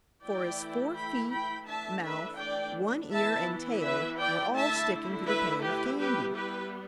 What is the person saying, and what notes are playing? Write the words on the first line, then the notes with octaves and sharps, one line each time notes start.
For his four feet, mouth, one ear and tail were all sticking to the pan of candy.
E3 A3 E4 D5 G5
G5 B5
G5 B5
E3 A3 D4 E5 A5
B4 E5
D5 G5
E3 B3 E4 E5 A5
B4 E5
D5 G5
D3 A3 E4 E5 A5
B4 E5
G4 B4
G3 B3 E4 G4 B4
G4 B4